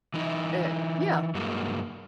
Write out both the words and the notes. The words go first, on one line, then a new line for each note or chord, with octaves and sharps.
eh yeah.
E3 D#4 E4
G2 F#3 G#3 A#3